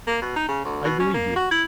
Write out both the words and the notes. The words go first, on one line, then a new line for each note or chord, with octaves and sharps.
"I believe you."
A#3
B2
D#4
C#3
D2
B2
C#4
A#3
F#4
E4